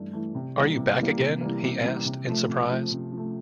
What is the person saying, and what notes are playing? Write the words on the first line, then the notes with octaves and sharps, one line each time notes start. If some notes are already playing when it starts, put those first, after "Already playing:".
Are you back again? he asked, in surprise.
Already playing: G2 E3 A3
E3 A3
C3
E3 G3 A#3
C3
E3 G3 A#3
C3
E3 G3 A#3
C3
E3 G3 A#3
C3
F3 A3
C3
F3 A3
C3
F3
A3